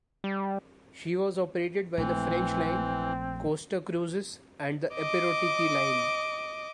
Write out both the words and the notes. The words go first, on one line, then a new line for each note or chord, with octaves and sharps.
She was operated by the French Line, Costa Cruises, and the Epirotiki Line.
G3
A#1 E3 A3 C4
D#5 D6